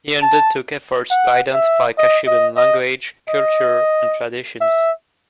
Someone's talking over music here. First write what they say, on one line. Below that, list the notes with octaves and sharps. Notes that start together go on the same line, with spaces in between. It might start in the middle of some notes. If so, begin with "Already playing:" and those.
He undertook efforts to identify Kashubian language, culture and traditions.
A5
F#5
E5
D#5
D#5
D#5
D#5
E5